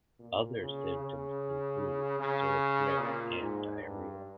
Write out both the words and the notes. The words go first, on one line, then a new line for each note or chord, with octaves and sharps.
Other symptoms include sore throat and diarrhea.
A#2
C#3
C#3
C#3
A#2
G#2
G2